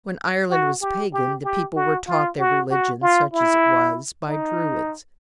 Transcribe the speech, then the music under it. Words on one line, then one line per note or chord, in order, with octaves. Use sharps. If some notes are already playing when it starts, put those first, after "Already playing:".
When Ireland was pagan the people were taught their religion, such as it was, by Druids.
F#4
G4
G4
G4
F#4
F4
F#4
F#4
F4
E4
D#4